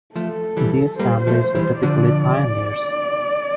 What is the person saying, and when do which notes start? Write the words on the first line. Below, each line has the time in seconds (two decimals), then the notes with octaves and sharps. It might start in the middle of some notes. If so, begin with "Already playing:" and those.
These families were typically pioneers.
0.15 F3 A3 A4
0.57 E3 G3
0.99 G3 A#3 C5
1.27 F3 A3
1.55 E3 G3
1.83 D3 F3 D5